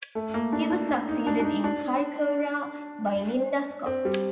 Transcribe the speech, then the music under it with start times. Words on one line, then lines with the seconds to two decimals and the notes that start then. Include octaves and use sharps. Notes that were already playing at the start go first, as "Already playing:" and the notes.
He was succeeded in Kaikoura by Lynda Scott.
0.15 A3
0.34 A#3
0.53 D4
0.70 D4
0.89 D4
1.09 D#4
1.27 D4
1.40 D4
1.45 D#4
1.64 D4
3.86 C4
4.05 G3